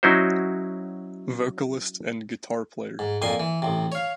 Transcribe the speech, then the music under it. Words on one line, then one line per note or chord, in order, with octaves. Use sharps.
Vocalist and guitar player.
F#3 C#4 D#4 E4 F#4 C5
G#2
F2 A#2 G#5 C6
E3
A1 C3
C#5 F5